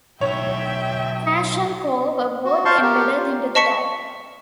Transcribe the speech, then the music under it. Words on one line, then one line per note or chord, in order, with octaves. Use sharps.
Cache and core were both embedded into the die.
B1 C#5 E5 G5
F#4
F4 C5 F5 A5 C6 C#6
G4 A#4
F4
D#5 A5 C#6 B6 C#7